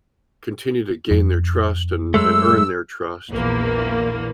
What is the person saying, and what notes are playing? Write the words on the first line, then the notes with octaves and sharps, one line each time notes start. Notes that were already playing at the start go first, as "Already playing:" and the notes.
continue to gain their trust and and earn their trust,
F2
F#2 G#3 A3 E6
A#1 E2 A#3